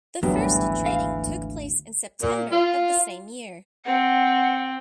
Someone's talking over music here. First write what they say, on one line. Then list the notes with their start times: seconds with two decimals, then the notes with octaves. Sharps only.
The first trading took place in September of the same year.
0.23 G#1 D2 G2 E3 F#3 B3
0.86 F5
2.21 A#2
2.52 F4
3.86 C4 F#5